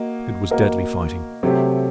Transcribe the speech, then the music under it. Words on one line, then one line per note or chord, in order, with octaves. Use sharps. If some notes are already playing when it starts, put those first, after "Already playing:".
It was deadly fighting.
Already playing: A#3 F#4 A#4 D#5
A#3 F#4 A#4 D#5
C3 F#3 A3 C4 G4